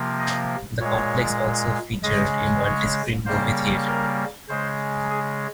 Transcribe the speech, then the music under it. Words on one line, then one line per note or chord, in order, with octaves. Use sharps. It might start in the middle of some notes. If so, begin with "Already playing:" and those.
The complex also featured a multi-screen movie theater.
Already playing: C3 F3 A#3
D#5
A#2 G#3 C#5
C#3 G#3 D#5
C#5
C#3 G3 A#3 C5
A#4
C#3 G#3 C5
G#4